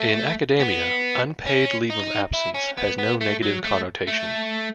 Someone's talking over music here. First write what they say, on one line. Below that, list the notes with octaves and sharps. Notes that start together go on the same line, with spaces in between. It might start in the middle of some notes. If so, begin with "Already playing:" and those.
In academia, "unpaid leave of absence" has no negative connotation.
Already playing: A3
B3
C#4
D#4
E4
C#4
B3
B3
A3
F#3
A3
A3